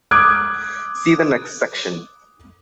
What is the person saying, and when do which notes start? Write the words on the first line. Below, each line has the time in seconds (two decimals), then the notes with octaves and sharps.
See the next section.
0.11 D6 D#6 F#6 G#6 D7